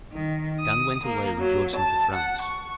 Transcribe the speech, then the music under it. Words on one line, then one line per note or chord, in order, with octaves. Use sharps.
Gan went away rejoicing to France.
D#3
D#6
A#3
F#3
A5
F#5
C#6